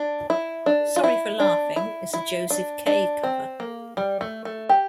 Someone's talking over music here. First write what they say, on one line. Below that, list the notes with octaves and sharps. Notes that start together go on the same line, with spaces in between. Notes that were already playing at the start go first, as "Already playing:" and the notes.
"Sorry for Laughing" is a Josef K cover.
Already playing: D4
E4
D4
F4
E4
D4
E4
E4
D4
D4
C4
A#3
G3
A3
A3
G4